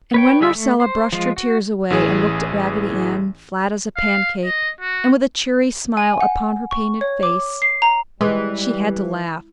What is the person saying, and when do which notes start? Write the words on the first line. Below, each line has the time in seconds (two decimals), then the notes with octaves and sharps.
And when Marcella brushed her tears away and looked at Raggedy Ann, flat as a pancake and with a cheery smile upon her painted face, she had to laugh.
0.14 B4 C#5 G5
0.41 D3 G3 G#4 E5 E6
0.55 A3
0.80 C5
1.13 F3 G#3 F4
1.37 F#4
1.90 A1 E3 G#4
3.97 F5
4.45 D#5
4.81 F#4
5.97 G#5
6.21 F#5
6.71 C#6
7.01 C#5
7.23 D6
7.62 C7
7.82 A#5
8.21 E3 G3 G#3